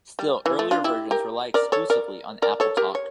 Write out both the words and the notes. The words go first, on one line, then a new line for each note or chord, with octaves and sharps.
Still earlier versions rely exclusively on AppleTalk.
G3
E3
A3
D4 F4
E4 G4
G4 A#4
A#4 D5
A4 C#5
A#4 D5
A#4 D5
A4 C#5
G4 A#4
C#5